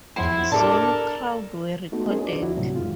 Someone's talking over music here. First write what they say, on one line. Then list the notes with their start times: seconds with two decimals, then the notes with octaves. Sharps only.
Zone crowd were recorded.
0.16 E2 F3 E4 C5 F#5
0.52 A2 D4 G4 A4 A#4 A5 D6
1.92 A3 B3 D#4 F#4 A4
2.10 C#4 G#4 A#4 C5 D#5
2.24 D4 D5
2.42 D2 F3 E4 F#4
2.57 A2 C3 F#3
2.76 F#2 D#3 G#3 F4